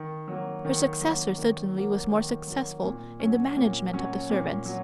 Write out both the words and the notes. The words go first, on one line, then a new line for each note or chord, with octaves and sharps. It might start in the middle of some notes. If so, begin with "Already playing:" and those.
Her successor certainly was more successful in the management of the servants.
Already playing: D#3
F#3 A#3
D#3
F#3 A#3
D#3
F#3 A#3
D#3
F#3 A#3
A#2
F#3 C#4
A#2
F#3 C#4
A#2
F#3